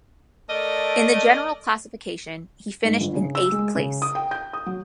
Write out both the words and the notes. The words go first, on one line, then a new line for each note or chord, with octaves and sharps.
In the general classification, he finished in eighth place.
A3 A4 A#4 D5 D#5
G#2
G1
C#3
E6
G#3
C#3
D#6
G5
G6
D#6
F#3